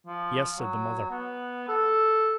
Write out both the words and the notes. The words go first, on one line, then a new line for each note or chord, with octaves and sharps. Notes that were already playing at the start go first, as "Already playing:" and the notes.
"Yes," said the mother.
F3
F#3
B3
A4